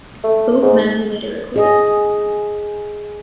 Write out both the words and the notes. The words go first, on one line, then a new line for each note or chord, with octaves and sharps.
Both men were later acquitted.
A3
G#2
G#4 D#5